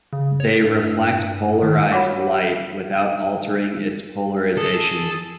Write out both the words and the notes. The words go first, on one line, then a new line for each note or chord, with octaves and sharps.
They reflect polarized light without altering its polarization.
C#3
C#5
G2
D#3
F4 F#4 C#5 F#5 D6
C#5
G#4 A4